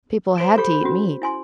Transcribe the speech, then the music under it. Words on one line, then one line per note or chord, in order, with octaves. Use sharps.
People had to eat meat.
C5 D7 E7
G4 A4 B5 G6
C#4 F#4
E4 G#5 C6